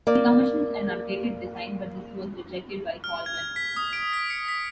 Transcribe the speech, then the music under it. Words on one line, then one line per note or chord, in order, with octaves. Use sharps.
He commissioned an updated design, but this was rejected by Coleman.
A#3 D5
F6
G#6
B6
D#6
D7
B6
C#7
B6